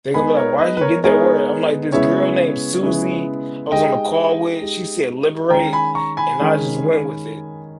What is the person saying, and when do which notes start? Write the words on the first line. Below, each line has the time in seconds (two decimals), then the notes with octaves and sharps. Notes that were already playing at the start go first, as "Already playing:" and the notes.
They gone be like, "Why did you get that word?" I'm like, "This girl named Suzie, I was on the call with, she said liberate, and I just went with it.
0.14 G#3 B3 D#4 G#4 G#5 B5
0.36 A#4 C#5
0.59 B4 D#5
0.77 B4
0.81 A#4 C#5
1.04 G#3 B3 D#4 G#4 A#4 C#5
1.92 C#3 G#3 B3 E4 C#5 E5
2.83 C#3 G#3 B3 E4
3.72 G#3 D#4 G4 D#5 G5
4.61 G#3 D#4 G4
5.50 D#3 G#3 C#4 G5 A#5
5.73 G#5 B5
5.95 A#5 C#6
6.17 G#5 B5
6.40 D#3 G#3 C#4